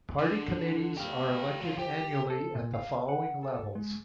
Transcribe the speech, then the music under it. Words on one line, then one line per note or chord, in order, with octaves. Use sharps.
Party Committees are elected annually at the following levels.
D3
G4 F5
F#3 F4
G4
A4
A#2
F5
F#5
A4
G#3